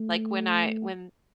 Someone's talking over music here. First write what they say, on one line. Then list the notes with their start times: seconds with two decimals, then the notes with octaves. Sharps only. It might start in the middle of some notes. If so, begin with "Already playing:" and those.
like, when I when
Already playing: A3